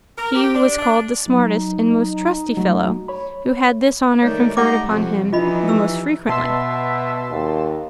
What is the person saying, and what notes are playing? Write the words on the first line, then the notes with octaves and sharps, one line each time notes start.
He was called the smartest and most trusty fellow, who had this honor conferred upon him the most frequently.
A#4
G4
D4
D4
F#3 D#4
F#3 A3 F#4
C#5 B5
D#3 G#3 A3 C#5 D5
D#4 G4 F#5 D6
F2 C3 F3 F#4
E3 F3 D4 D#4 F4 D#5 B5
G4 E6
B2 E5 A5 C6 E6
D#2